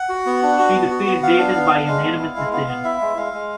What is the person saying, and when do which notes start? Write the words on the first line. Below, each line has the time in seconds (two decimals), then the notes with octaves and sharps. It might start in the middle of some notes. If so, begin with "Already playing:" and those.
She defeated Davis by unanimous decision.
Already playing: F#5
0.09 F#4
0.26 B3
0.43 D4
0.59 F#4
0.74 B3
0.91 F#4
1.06 B3
1.23 B3 F5
1.39 D4
1.56 B3
1.71 D4
1.88 G#3
2.03 B3
2.19 E4
2.36 G#3
2.53 B3 F5
2.68 B3
2.84 E4 E5
3.01 G#3
3.17 G#3 F5
3.33 G#3